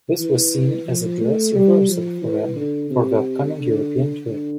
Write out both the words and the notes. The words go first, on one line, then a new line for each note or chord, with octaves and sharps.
This was seen as a dress rehearsal for the upcoming European tour.
E3
F3
A3
G3
F3
E3
D3
C3
D3
D3